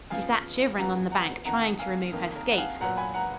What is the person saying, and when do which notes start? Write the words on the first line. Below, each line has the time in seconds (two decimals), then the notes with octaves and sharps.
She sat shivering on the bank trying to remove her skates.
0.10 C#3 F3 B3 F5 G#5
0.78 C#3 F3 B3 F#5 A#5
1.11 F#5 A#5
1.45 F2 D#3 A#3 F#5 A#5
1.79 F5 G#5
2.13 F2 D#3 A#3
2.36 A#4
2.51 F#5
2.58 F5 G#5
2.81 A#2 F#3 B3 F#5 A#5
2.97 G#5 B5
3.14 F#5 A#5